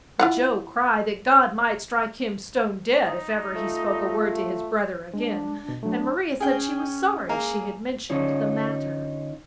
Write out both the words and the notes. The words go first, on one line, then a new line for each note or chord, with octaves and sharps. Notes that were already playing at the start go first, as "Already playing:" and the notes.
But Joe cried that God might strike him stone dead if ever he spoke a word to his brother again and Maria said she was sorry she had mentioned the matter.
E4 F4 F#5
D#4
A3 F4
G#3 D4
B2
F#3 A3 D4
C#4 G#4 G5
A#3 G#4
D3 C#4 D#4 F4 G#4 C#5